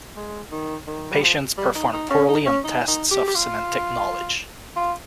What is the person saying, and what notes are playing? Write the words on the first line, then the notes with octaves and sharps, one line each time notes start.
Patients perform poorly on tests of semantic knowledge.
G#3
D#3
D#3
G3
F3
G3
D#4
D#4
C#4
D#4
C#4
D#4
D#4
G4
G4
F4
F4